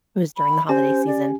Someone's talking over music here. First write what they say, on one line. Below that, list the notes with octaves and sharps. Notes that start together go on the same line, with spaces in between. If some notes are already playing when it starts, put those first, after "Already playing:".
it was during the holiday season,
B5
C#4 G4 C5 G#5
D5